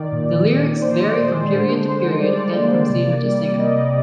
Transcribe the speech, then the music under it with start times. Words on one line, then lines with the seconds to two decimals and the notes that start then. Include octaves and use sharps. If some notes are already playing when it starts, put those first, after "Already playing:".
The lyrics vary from period to period and from singer to singer.
Already playing: D#3 D5
0.12 A#2
0.47 A#2
0.81 A#2 C5
0.99 D5
1.16 G#3 C5
1.34 C5
1.51 D3 C5
1.86 D3 C5
2.20 G3 D5
2.55 A#3
2.90 C3
3.25 G3
3.59 G3 D#5